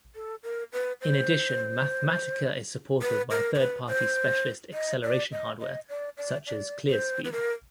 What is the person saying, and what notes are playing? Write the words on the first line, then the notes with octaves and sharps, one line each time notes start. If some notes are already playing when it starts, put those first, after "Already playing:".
In addition Mathematica is supported by third party specialist acceleration hardware such as ClearSpeed.
A4
A#4
B4
C5
B4
A#4
A#4
B4
C5
D#5
D5
D#5
D#5
D5
D5
D5
C5
B4
A#4